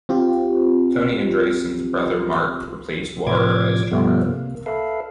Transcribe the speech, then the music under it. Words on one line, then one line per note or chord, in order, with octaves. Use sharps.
Tony Andreason's brother Mark replaced Wahrer as drummer.
C4 F4 G4
A2 C3 F3 D5 D6 G#6
G2 B2 F3 G3 A3 B3
C3 A#3
A4 B4 E5 F5